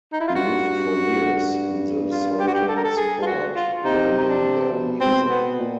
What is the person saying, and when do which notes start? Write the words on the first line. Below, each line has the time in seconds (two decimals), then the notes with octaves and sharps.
He lived for years in the Sultan's court learning their music.
0.13 D#4
0.21 E4
0.28 F4
0.36 G2 F#4
2.11 F4
2.40 G4
2.47 F#4
2.54 G4
2.68 A4
2.76 A#4
2.84 A4
2.97 G#4
3.22 F4
3.26 F#4
3.55 F4
3.84 C3 D#4
4.18 D#4
4.28 D4
4.72 B2
5.01 C4
5.30 B3
5.60 A#2